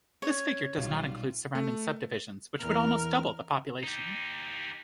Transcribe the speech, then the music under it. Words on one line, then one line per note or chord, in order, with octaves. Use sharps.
This figure does not include surrounding subdivisions which would almost double the population.
C#4 C#5
B1 B2 G3 F4
A3
E2 A#4 F6
D#4 G4